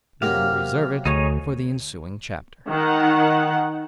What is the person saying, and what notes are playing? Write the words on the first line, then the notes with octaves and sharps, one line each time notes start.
We will reserve it for the ensuing chapter.
C3 F#3 A#3 F5
D2 D#4 G#4 C#5
D#3 F#5